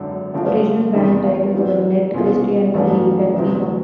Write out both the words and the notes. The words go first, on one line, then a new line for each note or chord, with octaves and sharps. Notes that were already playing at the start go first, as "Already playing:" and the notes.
Original band titles were "Ned Christie and The Heat" and "Viva".
Already playing: G#1 F#2 D3
F#2 C#3 F3 A3
E2 C3 D#3 G3
G#2 E3 G3 C4
C2 B2 G#3 C#4 F4
A1 G2 E3 A3 C#4
D2 C3 E3